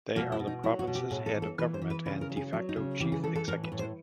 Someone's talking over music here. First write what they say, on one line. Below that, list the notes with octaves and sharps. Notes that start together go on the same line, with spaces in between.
They are the province's head of government and "de facto" chief executive.
B2 A#3
E4
B2
D#4
F#3 E4
F#4
B2
G4
A2 G#4
A4
E3
A4
E3 B4
C5
E3
B4
C#3 B4
A#4
F#3
G#4
F#3 D4
D#4
C#3
E3 G4
G#4
E3 A4
A4
A2 A#4
B4
A2
C5